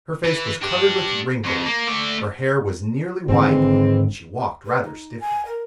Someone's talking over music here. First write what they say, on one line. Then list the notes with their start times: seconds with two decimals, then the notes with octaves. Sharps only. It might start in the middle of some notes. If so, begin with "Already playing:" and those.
Her face was covered with wrinkles, her hair was nearly white, and she walked rather stiffly.
0.24 E3 B4
0.61 D4 G4
1.44 F2
1.66 A#3
1.87 A3 D5
3.28 G#1 G#2 D3 E3 G#3 C4
4.66 B4
4.83 D#4
5.20 G#5
5.46 A#4